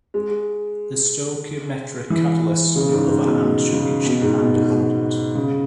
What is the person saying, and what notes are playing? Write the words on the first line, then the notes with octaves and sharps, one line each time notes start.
The stoichiometric catalyst on the other hand should be cheap and abundant.
G#3
E3
C#3
G#2
G#2
B2
B2
C#3
B2
G#2
B2
G#2
B2
C#3